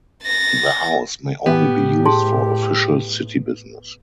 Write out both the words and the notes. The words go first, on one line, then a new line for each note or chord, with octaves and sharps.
The house may only be used for official city business.
A6 A#6
A2 B3 G4
G#4 A5 C6